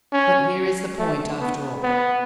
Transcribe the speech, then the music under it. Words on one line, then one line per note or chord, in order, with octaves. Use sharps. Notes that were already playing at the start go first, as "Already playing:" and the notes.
But here is the point, after all.
C#4
A3
B3
B3